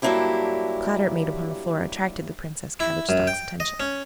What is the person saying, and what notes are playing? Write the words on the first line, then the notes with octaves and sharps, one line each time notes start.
The clatter it made upon the floor attracted the Princess Cabbage-Stalk's attention.
G2 F#3 A#3 D4 E4 G4
E4
F#2
G5
D#5
C#4